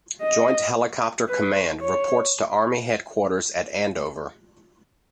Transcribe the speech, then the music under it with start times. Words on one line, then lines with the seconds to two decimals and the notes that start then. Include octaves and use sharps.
Joint Helicopter Command reports to Army Headquarters at Andover.
0.21 D#5
1.28 B4
1.81 C#5